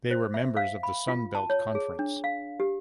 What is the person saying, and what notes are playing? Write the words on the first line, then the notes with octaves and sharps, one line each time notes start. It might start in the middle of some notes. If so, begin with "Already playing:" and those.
They were members of the Sun Belt Conference.
C5
E5
F5
B5
F4
A5
C#5
G#4
D4
F5
G4